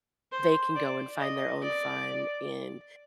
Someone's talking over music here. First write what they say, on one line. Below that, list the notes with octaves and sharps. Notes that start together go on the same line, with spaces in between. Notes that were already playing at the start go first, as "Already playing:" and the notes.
they can go and find their own fun and
C5
D5
D#5
D5